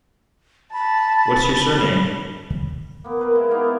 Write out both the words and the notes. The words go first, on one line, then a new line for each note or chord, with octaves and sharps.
What's your surname?
A5 B5
A#3 B3
A#4 B4 F5
G#3 E4
A#3 B3 D#4 F5
E5